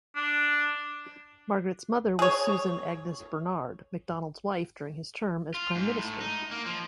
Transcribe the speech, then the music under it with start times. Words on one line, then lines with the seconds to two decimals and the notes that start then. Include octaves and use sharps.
Margaret's mother was Susan Agnes Bernard, Macdonald's wife during his term as Prime Minister.
0.16 D4
2.19 G#4 C#5
5.54 F4
5.75 G#2
5.98 A2
6.21 D#4
6.51 A#3
6.66 F3